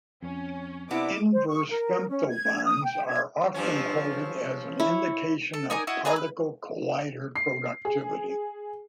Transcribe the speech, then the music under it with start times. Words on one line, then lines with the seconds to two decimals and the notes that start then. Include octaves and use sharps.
Inverse femtobarns are often quoted as an indication of particle collider productivity.
0.22 F2 C#4
0.91 C3 B3 D4 E4 D6
1.32 C5
1.48 C#6
1.70 A#4
2.08 C#4
2.29 G#6
2.64 D#6
2.84 G5
3.07 G#6
3.54 G2 F3 C#4
4.80 E4 C#5
5.54 A4
5.70 D#4 A#4 D5 G#5
5.87 E4 F#4 D#5
6.05 G#4 B4 G#5 A#5
6.16 B4
7.36 C7
7.85 G#4